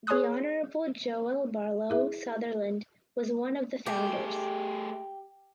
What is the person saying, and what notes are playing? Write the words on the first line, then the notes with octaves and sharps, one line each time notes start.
The Honorable Joel Barlow Sutherland was one of the founders.
G#4 C#5 G#5 C6 D#6 F#6
E4 G#4 E5
A3 G4 G#4